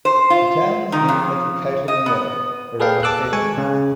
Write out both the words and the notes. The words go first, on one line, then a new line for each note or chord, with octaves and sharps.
The town is named after Cato the Elder, a Roman statesman.
C5
F4
D#3
F2
D#5
B3
G#4 A4 B4 D5 F5 G5
A4 A5 D6 E6 F#6
G#3 G#5 C#6
C#3